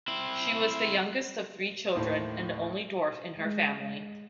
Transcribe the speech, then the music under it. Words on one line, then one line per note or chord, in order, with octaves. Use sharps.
She was the youngest of three children and the only dwarf in her family.
C4 E4
D#2 A2 C5
G#3
G#3